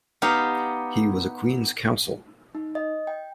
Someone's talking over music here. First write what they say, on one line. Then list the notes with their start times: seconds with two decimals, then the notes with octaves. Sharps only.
He was a Queen's Counsel.
0.22 B3 D#4 G4 F5
2.55 D#4
2.75 D#5
3.07 G5